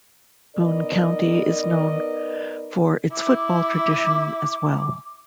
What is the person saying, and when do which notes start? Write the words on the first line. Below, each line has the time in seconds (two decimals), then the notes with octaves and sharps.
Boone County is known for its football tradition as well.
0.56 B3 D#4 A#4 B4 D5 D#5
3.12 E4 D6